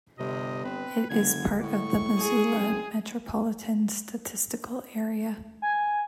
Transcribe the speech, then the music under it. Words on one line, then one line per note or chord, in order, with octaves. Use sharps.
It is part of the Missoula Metropolitan Statistical Area.
G1 C3 D#5
C4 B4
F#1 D3 G#6
A2 C#6
G#4
F#1 C4
G#5